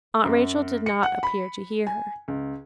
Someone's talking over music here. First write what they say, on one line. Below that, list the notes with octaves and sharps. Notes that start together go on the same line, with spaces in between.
Aunt Rachel did not appear to hear her.
F#2
C#7
F#5
B5
G#5
C#2